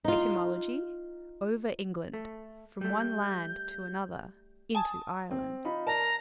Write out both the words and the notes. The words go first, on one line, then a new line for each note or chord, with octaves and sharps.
Etymology: over England; from one land to another; into Ireland.
D#4 F4
A3
G3 A3 G6
G#5 A5 D#6
C4
D#4 F4 B5
A#4 D5 A5 A#5